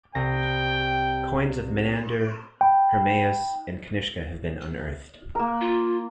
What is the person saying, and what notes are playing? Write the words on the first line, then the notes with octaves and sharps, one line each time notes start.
Coins of Manander, Hermaeous and Kanishka have been unearthed.
C2 G5 A#6
G5 B5
A#3 A#4
F4